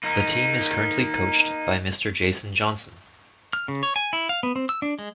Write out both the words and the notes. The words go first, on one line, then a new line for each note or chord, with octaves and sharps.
The team is currently coached by Mr. Jason Johnson.
A#3 D#4
F6
C#3
C#5
G#5
E4
F5
B3
C4
E6
D4
G#3